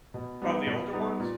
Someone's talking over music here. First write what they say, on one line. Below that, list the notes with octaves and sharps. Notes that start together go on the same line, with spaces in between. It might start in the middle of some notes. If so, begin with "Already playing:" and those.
Oh, the older ones?
B2
G3 B3 D#4
B2
G3 B3 D#4
A#2